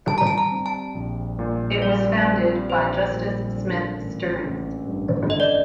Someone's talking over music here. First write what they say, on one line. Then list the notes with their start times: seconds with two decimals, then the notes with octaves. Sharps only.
It was founded by Justus Smith Stearns.
0.08 G3 A5
0.18 A#5
0.27 A5
0.38 A#5
0.51 C4
0.66 A5
0.95 A#1
1.39 A#2
1.81 G3 D5
2.25 C4
2.69 A#1 C5
3.12 A#2
3.56 D3
4.00 A1
4.43 A1
4.87 G2
5.29 D3 D#5
5.40 D5